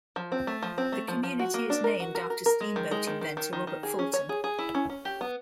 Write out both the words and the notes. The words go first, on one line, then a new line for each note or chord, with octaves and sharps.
The community is named after steamboat inventor, Robert Fulton.
F3
C4
A3
F3
C4
A3
F3
F3
F#4
A#3
D4
A#4
F#4
A#4
A#4
A#4
G#3
D#3
G#3
D#3
D#3
D#3
D#3
D#3
G#4
C#4
C#5
G#4
G#4
E4
C#4
C#4
G4
B3